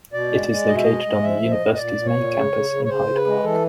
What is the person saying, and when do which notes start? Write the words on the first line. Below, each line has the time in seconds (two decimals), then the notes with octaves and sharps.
It is located on the University's main campus in Hyde Park.
0.13 B2 D5
0.31 G#3
0.49 G#3
0.67 B2 D#5
0.76 E5
0.84 G#3 D#5
1.05 G#3
1.23 F3 E5
1.41 F3
1.50 D#5
1.60 A#2
1.74 D#5
1.78 A#2 D5
1.96 A#2
2.06 C#5
2.14 A#2
2.33 C#3
2.52 C#3
2.70 C#3
2.85 C#5
2.88 C#3 C5
3.07 C#3
3.16 B4
3.26 G#3
3.44 E3 A4